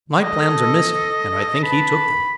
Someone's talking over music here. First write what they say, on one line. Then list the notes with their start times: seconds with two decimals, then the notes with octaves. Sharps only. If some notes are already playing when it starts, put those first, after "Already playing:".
My plans are missing, and I think he took them.
0.22 A4 D#5
1.63 B4 A5 B5